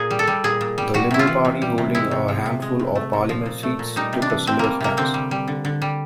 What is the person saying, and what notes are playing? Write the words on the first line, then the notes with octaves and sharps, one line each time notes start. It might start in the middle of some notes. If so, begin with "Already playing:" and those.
The Liberal Party, holding a handful of parliament seats, took a similar stance.
Already playing: A#2 G#4
G3
A4
G3
A#2 G#4
A#2
G3
G3 F#4
C3 E4
F4
E3
C3
G3
C3
G#3 E4
C3
F3
C3
G#3
C3
A3
A#2
F3
A#2
A3
A#2
G3 D#4
C3
D4
E3
C3 C4
G3 A#3
C3 A#3
D3 C4
G3
G3
D3
D3
G3